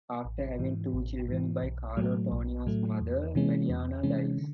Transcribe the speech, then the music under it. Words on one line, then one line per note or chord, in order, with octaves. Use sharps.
After having two children by Carlo, Tonio's mother, Marianna, dies.
A1
G#2 E3
A1
G#2 E3
B1
A2 F#3 A3
B1
A2 F#3 A3
E2
C3 E3 G#3 C#4
E2
C3 E3 G#3 C#4
D3